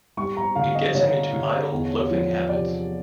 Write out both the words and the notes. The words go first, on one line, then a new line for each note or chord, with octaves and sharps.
It gets him into idle, loafing habits.
G3 C#6
A#5
D3 F5
D#5
D3 C#5
D3
E2
F3
C3 D5